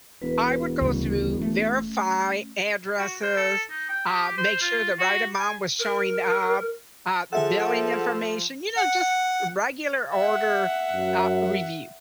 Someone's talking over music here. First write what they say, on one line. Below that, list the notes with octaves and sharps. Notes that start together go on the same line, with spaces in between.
I would go through, verify addresses, uh, make sure the right amount was showing up, uh, billing information you know, just regular order, uh, review.
E1 B4
D2 C#3 G3 C#4
A3
F#4
C5
A4
D#4
G5
G4
C5
F4
F#4
G#5
A#4
F3 G#4 A4 E5 F#5
F#5
E5 F#5
F#2